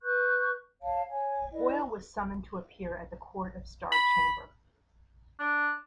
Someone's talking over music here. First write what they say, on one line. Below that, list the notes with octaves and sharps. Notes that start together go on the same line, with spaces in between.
Boyle was summoned to appear at the Court of Star Chamber.
B4 C#6 F#6 G6
C#5 F5 A5
C#5 G#5
E4 B4 D5 D#5
B5
D4